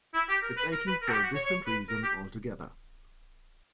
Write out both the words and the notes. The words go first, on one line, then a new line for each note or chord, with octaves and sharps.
It's aching for a different reason altogether.
E4
G4
A#4
B4
A#4
B4
A#4
F#4
G4
F#4
C#5
C#5
B4
A#4
G4